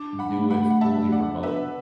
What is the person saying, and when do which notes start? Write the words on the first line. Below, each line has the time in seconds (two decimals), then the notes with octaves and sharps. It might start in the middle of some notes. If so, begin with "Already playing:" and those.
do it fully remote.
Already playing: D4 A5 D6
0.19 F#5 B5
0.35 A3
0.50 F#5 B5
0.70 F#5
0.81 D4 E5 A5
1.12 D5 F#5
1.28 B3
1.43 B4 E5